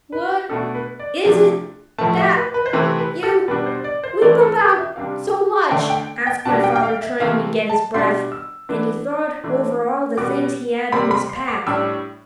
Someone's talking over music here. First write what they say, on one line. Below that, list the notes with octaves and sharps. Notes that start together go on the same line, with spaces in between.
"What--is it--that--you--weep about--so much?" asked my father, trying to get his breath, and he thought over all the things he had in his pack.
B4
B2 A3 D4 A4
B4
D5
C3 F3 A3 D4
A2 F3 A3 A5
E5
B4
B4
C5
C3 E3 A3 C4 B4
B4
A4
B2 G3 D4 B4
C5
D5
C5
E3 A3 C4 D5
A4
B4
E5
C3 G3 D4 F5
D3 A3 D4 G5
G5
G5
B2 G3 D4 A5
G5
G5
F5
E5
C3 E3 A3 F5
A5
B2 G3 D4 C6
E6
E3 B3 D4
E3 A3 D4
B2 G3 B3 D6
C3 G3 C4 B5
B5
C6
D6
A2 G3 D4 E6